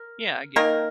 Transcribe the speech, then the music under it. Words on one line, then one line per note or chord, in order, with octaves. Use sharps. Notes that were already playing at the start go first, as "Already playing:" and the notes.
Yeah, I get that.
Already playing: A#4
D#3 A#3 A#4